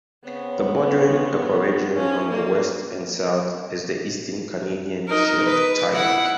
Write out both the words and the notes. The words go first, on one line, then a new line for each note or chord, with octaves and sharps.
The bordering ecoregion on the west and south is the Eastern Canadian Shield taiga.
C#3 B3 C4 C#5
F3 C#4
C#3 A#3 A4 D5
D#4 A#4
B4
E4 F#5